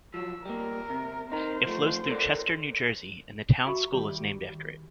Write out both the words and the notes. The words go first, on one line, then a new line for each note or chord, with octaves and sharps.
It flows through Chester, New Jersey and the town school is named after it.
F3 F#3 E6
G3 A#3 A#4
C3
D#4 A#4 C5
F3 A3
A4 A#4 D5
F#4 E5 B5 C#6
D#3 G3
D#3